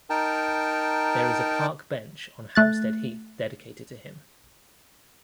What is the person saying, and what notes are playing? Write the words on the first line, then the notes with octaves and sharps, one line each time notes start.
There is a park bench on Hampstead Heath dedicated to him.
D#4 A#4 G5 A5
A3 F#6 A6